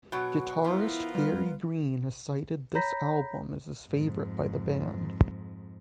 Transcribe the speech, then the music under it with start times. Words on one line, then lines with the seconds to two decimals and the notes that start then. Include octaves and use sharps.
Guitarist Gary Green has cited this album as his favourite by the band.
0.12 B2 F#3 F#4
0.65 F3 B3 E4 F4 A#4
1.15 G3 B4
2.75 C#5 A#5 B5 G6 A#6 B6
3.88 F2 G#2